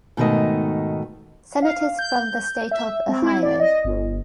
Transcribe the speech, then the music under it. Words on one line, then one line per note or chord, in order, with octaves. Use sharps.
Senators from the state of Ohio.
G#2 B2 D#3 A3 D#5
F5
G6
E5
C4
E4
D5
D#5
G1